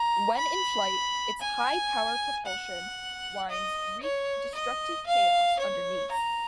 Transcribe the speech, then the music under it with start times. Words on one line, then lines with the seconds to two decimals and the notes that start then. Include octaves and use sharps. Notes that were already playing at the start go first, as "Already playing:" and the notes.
When in flight, its high-power propulsion winds wreak destructive chaos underneath.
Already playing: A#5
0.37 B5
1.41 G#5
2.46 F#5
3.50 D#5
4.03 C#5
4.55 D#5
5.07 F5
5.59 C#5
6.12 A#5